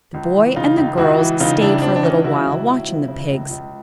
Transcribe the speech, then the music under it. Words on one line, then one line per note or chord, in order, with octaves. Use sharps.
The boy and the girls stayed for a little while, watching the pigs.
C#2
E3
C#3 D#4 F4
C#2
C#2 E4 F#4
E3
C#3 D#4 F4
C#2 D4 E4
C#2 C4 D4
D4
E3 C#4 D#4
C#3 E4 F#4
C#2
C#2
F3
C#3
C#2
C#2